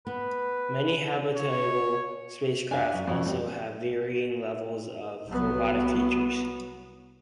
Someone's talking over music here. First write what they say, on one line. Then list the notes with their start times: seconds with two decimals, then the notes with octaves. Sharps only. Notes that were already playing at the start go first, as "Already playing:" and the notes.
Many habitable spacecraft also have varying levels of robotic features.
0.07 B3 B4
1.36 C#5
2.71 D4 E5 F5 G#5
2.94 F#2
3.08 F2 C#4
3.25 G3 C4
5.26 C2 F#3 B3